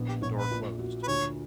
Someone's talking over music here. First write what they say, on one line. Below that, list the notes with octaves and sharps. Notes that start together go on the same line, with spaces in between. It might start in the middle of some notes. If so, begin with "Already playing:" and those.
The door closed.
Already playing: A#1 B3
G4
A#1 C#5
B4
A#2
F#4
B4
D2 C#5